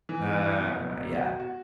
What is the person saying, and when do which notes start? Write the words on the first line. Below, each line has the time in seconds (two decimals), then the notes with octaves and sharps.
Uh, yeah.
0.09 E3
0.26 E2
0.41 E4
0.58 B2
0.74 B3
0.91 B1
1.07 B2
1.23 F#4
1.40 F#4